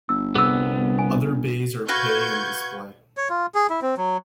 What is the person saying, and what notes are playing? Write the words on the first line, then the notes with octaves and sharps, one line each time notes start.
Other bays are pay-and-display.
G1 E6
C2 B3 G#4 E6
G#5
F#4 B4 F5 C#6 G6 G#6
C#5
F4
G#4
E4
C4
F#3